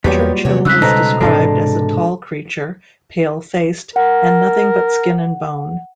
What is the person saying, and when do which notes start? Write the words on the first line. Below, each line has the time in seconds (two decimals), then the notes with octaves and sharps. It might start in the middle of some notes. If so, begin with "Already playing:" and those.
Churchill was described as a tall creature, pale-faced, and nothing but skin and bone.
0.04 E2 A#2 F#3 G3 B3 G4 C#5
0.45 E2 C3 F#4 C#5
0.65 F2 C#3 G3 G#3 D#4 E6 F#6 B6
0.82 B2 D#4 A4 C5 A#5
1.21 G#2 C3 E3 G#3 D4 A4 A5
3.96 A#4 F#5